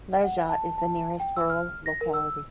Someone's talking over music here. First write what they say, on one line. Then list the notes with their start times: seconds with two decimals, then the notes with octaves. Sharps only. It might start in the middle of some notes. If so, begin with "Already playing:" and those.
Lezha is the nearest rural locality.
0.24 F#5
0.49 A5
0.78 A5
1.20 G5
1.37 E6
1.50 F6
1.86 A#6
2.01 A#4
2.14 E6